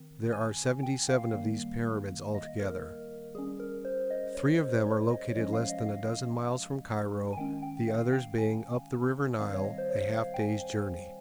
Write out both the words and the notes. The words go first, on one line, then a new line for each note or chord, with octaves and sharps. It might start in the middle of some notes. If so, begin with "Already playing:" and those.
There are seventy-seven of these pyramids altogether. Three of them are located less than a dozen miles from Cairo, the others being up the river Nile a half day's journey.
Already playing: D#3 C4
G#5
G5
F5
D#3 G3 A#3
D#5
A#4
G3 C#4 G#4
A#4
C5
D#5
C#5
C5
C#5
D#5
C#5
F3 G#3 C#4 D#5
F5
D#5
F5
G#5
D#3 G#3 C#4 G5
G5
F5
G5
G#5
D#3 G3 C4 F5
C#5
D#5
C5
C#5
F5
G5
G#5